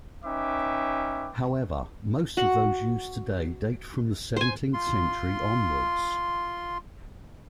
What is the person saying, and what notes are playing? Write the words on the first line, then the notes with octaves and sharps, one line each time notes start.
However, most of those used today date from the seventeenth century onwards.
C#4 D#4 B4 E5 G5 D6
F#4 F#5
C5 G#5
F4 C6